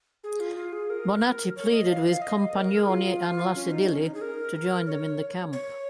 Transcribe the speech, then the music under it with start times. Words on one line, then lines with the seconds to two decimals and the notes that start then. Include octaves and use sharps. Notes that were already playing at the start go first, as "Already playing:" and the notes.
Bonatti pleaded with Compagnoni and Lacedilli to join them in the camp.
0.24 G#4
0.40 F4
0.56 F4
0.73 G#4
0.90 A#4
1.56 C#5
1.73 D#5
1.89 F5
2.06 F5
2.22 D#5
2.55 A#4
2.77 G#4
2.88 F4
3.55 C#4
3.71 D#4
3.87 C#4
4.04 D#4
4.15 G#4
4.21 A#4
4.86 C#5
5.53 C#5